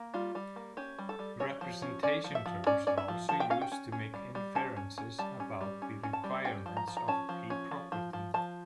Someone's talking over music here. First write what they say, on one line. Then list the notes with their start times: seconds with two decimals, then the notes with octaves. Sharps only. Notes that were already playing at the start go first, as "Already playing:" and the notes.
Representation Terms are also used to make inferences about the requirements of a property.
Already playing: A#3
0.14 G3 F4
0.35 G3
0.56 A#3
0.77 C#4 G4
0.99 G3
1.09 A4
1.19 G3
1.40 C#4 C#5
1.61 F3
1.82 C#4
2.03 C#4 D5
2.24 F3
2.35 E5
2.46 F3
2.67 C#4 D5
2.87 C#4 D5
2.98 E5
3.08 F3
3.29 F3 A5
3.40 G5
3.50 C#4 F5
3.61 G5
3.72 C#4
3.92 C#4
4.14 G3
4.35 G3
4.55 C#4 A5
4.77 C#4
4.98 C#4
5.19 G3 A5
5.40 C#4
5.61 G3
5.82 C#4
6.03 C#4
6.13 A5
6.24 G3
6.45 C#4 G5
6.66 F3
6.77 A#5
6.88 F3
6.97 A#5
7.08 C#4 A5
7.29 F3
7.50 C#4
7.71 F3
7.92 F3
8.13 F3
8.34 F3 A5